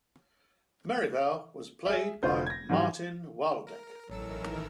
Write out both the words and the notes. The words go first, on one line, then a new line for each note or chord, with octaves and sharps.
Merrivale was played by Martin Wyldeck.
G#4 E5
F1 D3 F4 C5 G6
G#6 A#6
G#2 E3 F#3 G3
A#4
A1 D#3 E3 F#3 A4 A#4 E6